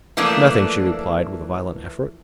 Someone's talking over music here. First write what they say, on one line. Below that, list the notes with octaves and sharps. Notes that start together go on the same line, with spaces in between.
"Nothing," she replied with a violent effort.
E3 F3 A3 A#3 D4